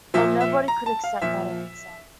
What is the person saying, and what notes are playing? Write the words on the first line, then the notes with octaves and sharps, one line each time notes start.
And nobody could accept that answer.
A#2 F3 E5
E5
A#5
A5
F5
A#2 F3 E5